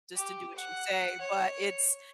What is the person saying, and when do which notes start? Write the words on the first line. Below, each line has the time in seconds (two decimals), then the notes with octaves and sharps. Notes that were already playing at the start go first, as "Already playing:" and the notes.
just to do what you say, but, it's
0.15 G4
0.56 F#5
1.21 C#5